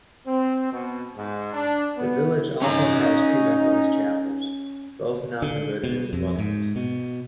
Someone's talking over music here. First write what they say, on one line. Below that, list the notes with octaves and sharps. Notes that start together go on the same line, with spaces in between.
The village also has two Methodist chapels, both now converted into dwellings.
C4
B2
G#2
D4
B3
C#4 D#4 C#5 A#5
D3
B2
F2
G#2
B2